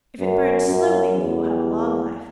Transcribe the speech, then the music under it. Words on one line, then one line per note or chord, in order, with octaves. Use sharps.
If it burns slowly you will have a long life.
F#2
F#2
E2